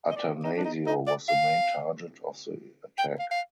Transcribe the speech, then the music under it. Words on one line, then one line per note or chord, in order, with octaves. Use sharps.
Attanasio was the main target of the attack.
D#5
D5
D#4
D4
D#4
D#4
D5
F5
G5
F5
F5